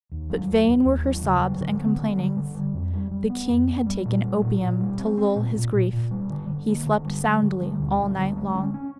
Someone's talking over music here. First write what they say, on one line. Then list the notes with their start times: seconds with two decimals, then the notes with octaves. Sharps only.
But vain were her sobs and complainings; the king had taken opium to lull his grief; he slept soundly all night long.
0.12 D#2
0.30 F#3
0.49 D#2
0.67 D#2
0.86 D#2
1.05 F#3
1.24 C#3
1.43 F#3
1.61 D3
1.80 B3
1.98 D3
2.18 G3
2.36 D3
2.55 G3
2.74 F2
2.93 G3
3.11 G3
3.30 B3
3.49 F2
3.68 B3
3.86 G3
4.05 A#2
4.24 G3
4.42 A#2
4.61 A#2
4.80 G3
4.99 C4
5.18 C4
5.36 A#2
5.56 A#2
5.73 A#2
5.93 A#2
6.11 G3
6.30 D3
6.49 D3
6.68 A#3
6.86 D3
7.05 G3
7.24 G3
7.43 D3
7.61 G3
7.80 D2
7.99 G3
8.18 D3
8.37 G#3
8.55 C#4
8.74 C#4